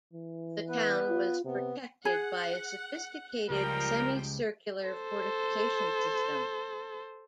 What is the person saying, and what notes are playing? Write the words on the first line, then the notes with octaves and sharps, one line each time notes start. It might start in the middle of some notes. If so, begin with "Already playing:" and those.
The town was protected by a sophisticated semicircular fortification system.
E3
B3 B4
F4
C3 B3
G#4 F#5
C#2 F3 G3 A#4 G5
A4 C5